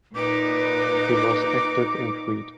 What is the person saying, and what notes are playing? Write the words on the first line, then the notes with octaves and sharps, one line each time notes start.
He was active in Crete.
A#2 D#4 B4 D6